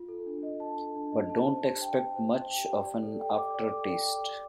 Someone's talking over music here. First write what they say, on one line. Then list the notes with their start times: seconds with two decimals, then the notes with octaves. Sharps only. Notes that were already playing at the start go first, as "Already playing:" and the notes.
But don't expect much of an aftertaste.
Already playing: F4
0.08 A4
0.26 D4
0.43 D#5
0.60 A5
0.77 A4
0.95 D4
1.12 D#5
1.30 A5
1.47 C5
1.64 G4
1.81 G5
1.99 G4
2.16 C5
2.34 G4
2.51 G5
2.68 G4
2.85 D5
3.03 A4
3.20 G5
3.38 D6
3.54 D5
3.72 A4
3.89 G5
4.06 D6
4.24 D5